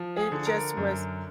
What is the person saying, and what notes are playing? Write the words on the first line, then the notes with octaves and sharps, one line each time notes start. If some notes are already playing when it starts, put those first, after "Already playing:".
it just was
Already playing: F3
G#4
D3
A#4
F#2